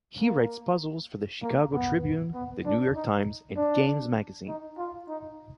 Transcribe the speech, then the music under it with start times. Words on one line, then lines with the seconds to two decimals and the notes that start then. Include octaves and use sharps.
He writes puzzles for the "Chicago Tribune", the "New York Times", and "Games" magazine.
0.21 A#3
1.43 A#3
1.73 B3
2.34 B3
2.65 D4
2.96 D#4
3.56 D4
4.48 D#4
4.78 F4
5.08 D#4